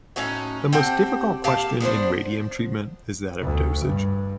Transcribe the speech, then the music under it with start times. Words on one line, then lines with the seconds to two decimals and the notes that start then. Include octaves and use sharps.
The most difficult question in radium treatment is that of dosage.
0.16 A2 C#4 D#4 F#4
0.72 C4 G4 F#5 A5
1.44 A#2 G4 F5 A5
1.80 B3 D4 A#4 C5
3.42 D2
3.86 G2